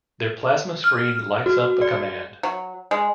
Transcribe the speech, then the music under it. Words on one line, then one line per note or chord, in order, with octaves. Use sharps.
Their plasma screen lights up a command.
F6
F#4
D5
F#3
G#3